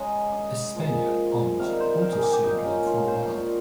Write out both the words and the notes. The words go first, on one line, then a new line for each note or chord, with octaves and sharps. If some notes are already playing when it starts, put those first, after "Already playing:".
A Spaniard, Oms, also served with them for a while.
Already playing: C#3 G#3 D#5 A#5
D#5
A#2 F3 G#3
C3 D#3 G3 F5
C5
A#4
G#4
G4
G4
A#2 G#3 D#4
C#4
F4
C5
A#2 G3 C#5